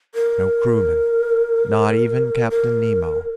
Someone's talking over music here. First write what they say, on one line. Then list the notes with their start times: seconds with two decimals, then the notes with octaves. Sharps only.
No crewmen. Not even Captain Nemo.
0.15 A#4
2.50 A#4